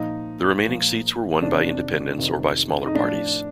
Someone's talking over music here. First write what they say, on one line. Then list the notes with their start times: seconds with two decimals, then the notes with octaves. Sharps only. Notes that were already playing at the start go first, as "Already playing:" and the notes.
The remaining seats were won by independents or by smaller parties.
Already playing: A#2 F3 D#4
0.66 A#2 F3
1.41 F2 C3 D#3 D4
2.18 F2 C3 D#3
2.87 D#4
2.95 A2 F3 D4